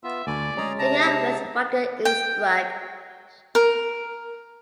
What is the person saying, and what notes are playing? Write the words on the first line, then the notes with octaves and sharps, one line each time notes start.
Liga with Wacker Innsbruck.
B3 F4 E5
D2 D5 G#5
G#3 C#4 G#4 A#5
C3 A5 A#5
G5
A#4